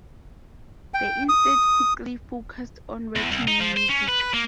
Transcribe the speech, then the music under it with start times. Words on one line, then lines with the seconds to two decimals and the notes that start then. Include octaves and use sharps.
They instead quickly focused on writing new music.
0.94 G5
1.29 D#6
3.16 E2
3.31 C2
3.48 D#4
3.60 F3
3.77 C5
3.89 C#4
4.08 B4
4.21 B4
4.34 A#3